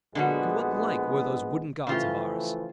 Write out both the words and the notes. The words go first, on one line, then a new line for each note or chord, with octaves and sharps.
And what like were those wooden gods of ours?
A#1 D3 G3 G#3 B3 F#4
C#3 E3 F3 A3 F4 G4